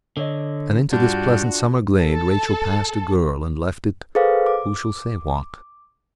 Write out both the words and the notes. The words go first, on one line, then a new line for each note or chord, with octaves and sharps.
And into this pleasant summer glade Rachel passed a girl, and left it, who shall say what?
D3 A4 C#5 D#5
G2 G3 D4 F4 F#4 A5
A4
G#4 A4 B4 C5 F5
D6